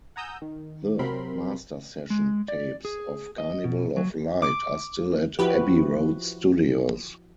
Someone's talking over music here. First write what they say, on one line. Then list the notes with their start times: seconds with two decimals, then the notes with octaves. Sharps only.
The master session tapes of "Carnival of Light" are still at Abbey Road Studios.
0.16 F#5 G#5 A#5 D#6 E6 G6
0.42 D#3
0.99 C3 F#3 C4 A#4 B5 C6
2.10 G#3
2.48 D5
2.85 G#4
3.38 D#5
3.64 B2
3.97 F#3
4.42 D6
5.39 F3 E4 F#4 G4 B4